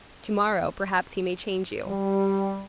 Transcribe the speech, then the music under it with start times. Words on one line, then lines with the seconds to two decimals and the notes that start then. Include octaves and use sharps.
To-morrow, perhaps, he may change you.
1.87 G3